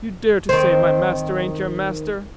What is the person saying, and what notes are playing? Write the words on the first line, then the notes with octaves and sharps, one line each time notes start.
You dare to say my master ain't your master!
D#3 C4